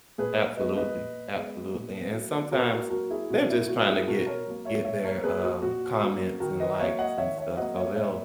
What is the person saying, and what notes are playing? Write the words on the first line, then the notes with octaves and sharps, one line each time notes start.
Absolutely. Absolutely, and sometimes they're just trying to get get their, uh, comments and likes and stuff, so they'll
A#2 G#4 B4
G#3 B3 B4 D#5
B4 D#5
A#2
G#3 B3
A#2
F#3 A#3
A#2 F#4 A#4
F#4 A#4
F#3 A#3 F#4 A#4
E4 G#4
B2 F#4
E4
F#3 A#3 F#4
E4 G#4
B2 F#4 A#4
A#4 C#5
F#3 A#3
C#5 E5
A#2 C#5 E5
A#4 C#5
A#3 G#4 B4
F#4
A#2 F#4
A#3 F#4
D#3 F#4 A#4
B4 D#5
F#3 A#3 C#5 E5
D#5 F#5
D#3 C#5 E5
C#5 E5
F#3 A#3 D#5 F#5
C#5 E5
A#2 C#5 E5